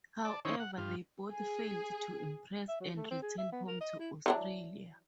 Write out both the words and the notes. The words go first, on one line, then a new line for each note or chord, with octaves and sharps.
However, they both failed to impress and returned home to Australia.
D5 A5
D#3 C#4 D#4 E4 C5 C#5
F#5
G2 F4
G#4
E5
F#3
A3
C4
G#4
E5
B3
A#4
D#5
E4
E3 F#3 D4